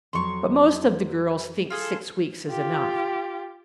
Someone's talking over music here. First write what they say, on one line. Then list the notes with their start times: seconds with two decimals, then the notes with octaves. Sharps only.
"But most of the girls think six weeks is enough."
0.13 F2 F#3 C6 C#6
1.70 F4 G#4 A4
2.49 F4 G4